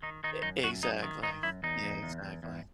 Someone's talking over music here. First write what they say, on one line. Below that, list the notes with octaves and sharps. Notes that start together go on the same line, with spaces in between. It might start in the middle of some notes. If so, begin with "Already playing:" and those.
Ex exactly. Yeah, exactly.
D#3 D#4
D#3 D#4
F#2 D#4
F#2 F#4
F#2 D#4
D#3
D#3 D#4
F#2 E4
E2 D#4
E2
E2
E2
E2